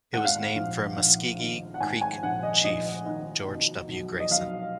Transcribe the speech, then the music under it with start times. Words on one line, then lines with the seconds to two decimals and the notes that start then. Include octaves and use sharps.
It was named for a Muscogee Creek chief, George W. Grayson.
0.13 G#2 F#5
0.24 F5
0.35 F#5
0.56 A#1
0.97 A#1
1.39 D#3
1.74 F#5
1.80 G#2 G#5
2.01 G#5
2.23 A#1 F#5
2.43 D#5
2.64 A#1 D#5
3.06 D#3
3.48 B2
3.89 B1
4.20 D#5
4.30 B1 F5